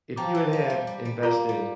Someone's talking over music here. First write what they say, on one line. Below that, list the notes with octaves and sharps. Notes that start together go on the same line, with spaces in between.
if you had had invested
F3 C5 G5 A#5 D6
F3
F3
G3
G3
G3
A#3 F4 A#4 D5 A#5
G3